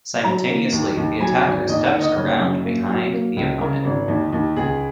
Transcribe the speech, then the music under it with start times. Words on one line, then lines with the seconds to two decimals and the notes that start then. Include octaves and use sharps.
Simultaneously the attacker steps around behind the opponent.
0.24 F#3 A#5
0.49 A#3
0.72 D#2
0.97 D#2
1.20 F#3 G#5
1.44 G#1
1.69 D#2 D#5
1.84 F#5
1.92 D#3
2.01 D#5
2.16 F#1 C#5
2.40 F#2
2.64 A#3
2.88 F#3
3.13 A#3
3.36 C#2
3.61 C#3 A#4
3.85 G#1
4.08 D#2
4.33 D#2
4.56 C#2 G#4